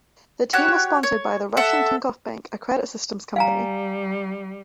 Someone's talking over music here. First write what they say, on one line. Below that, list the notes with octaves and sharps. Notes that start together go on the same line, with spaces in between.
The team was sponsored by the Russian Tinkoff Bank, a credit systems company.
F#4 G4 C#5 F#6
C#5
A4 E5 F#5
G3 F5 G#5 A#5